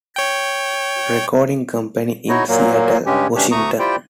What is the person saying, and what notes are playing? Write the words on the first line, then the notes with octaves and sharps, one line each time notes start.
Recording Company in Seattle, Washington.
C#5 G5
D#4 E4 F#4 C#5 D#5
A#2 F#3 A#3
G2 C#3 G#3 C#4 G4
D2 E3 A3 C#4 D4 G4
D2 A3 A#5 C#6 D#6
E4 F4 G4 C5 D5 G5